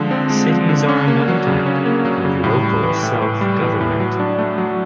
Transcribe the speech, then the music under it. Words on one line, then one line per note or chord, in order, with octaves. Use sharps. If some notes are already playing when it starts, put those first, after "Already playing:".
Cities are another type of local self-government.
Already playing: D3 F3 G#3
C4
G#3
F3
D3
C#4
A#3
F#3
C#3
C#4
A#3
F#3
C#3
A2
G3
E3
A2
A2
G3
E3
A2
F#3
D4
A3
F#3